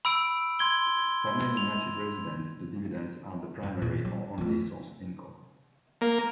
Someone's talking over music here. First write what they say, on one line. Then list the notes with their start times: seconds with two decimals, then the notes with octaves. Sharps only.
For many native residents the dividends are the primary, or only, source of income.
0.05 B5 E6 D7
0.59 C6 G#6 G7
1.57 F7
3.63 F#2
3.82 E2 A#2
4.05 G3
4.38 F2 A3
6.01 A#3